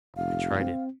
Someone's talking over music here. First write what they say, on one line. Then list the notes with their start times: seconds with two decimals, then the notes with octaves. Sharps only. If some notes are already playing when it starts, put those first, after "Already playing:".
I tried it.
0.16 F1 F5
0.61 C4